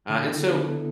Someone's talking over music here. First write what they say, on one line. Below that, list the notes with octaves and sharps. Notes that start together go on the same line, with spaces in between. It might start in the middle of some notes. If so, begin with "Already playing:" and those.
Uh, and so,
D3
B3 E4 A4
D3
B3 E4 A4